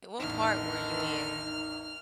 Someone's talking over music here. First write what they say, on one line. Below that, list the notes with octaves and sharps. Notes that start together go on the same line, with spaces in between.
What part were you in?
A1 E2 D3 D#3 D#4 F6